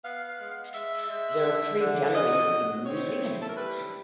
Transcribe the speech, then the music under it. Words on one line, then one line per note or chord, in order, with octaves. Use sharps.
There are three galleries in the Museum.
B3 F5
G#3
G#3 E5
G#3
D3
D3
D3 D#5
F#3
C4 C#5
E4
A4
A#4
G3 B4